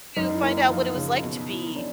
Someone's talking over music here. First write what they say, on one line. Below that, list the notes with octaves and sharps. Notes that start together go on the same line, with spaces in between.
to find out what it was like to be
F#2 D#4
E4
A#3
D#4
F3
C#3
B2
E4
C#4 D4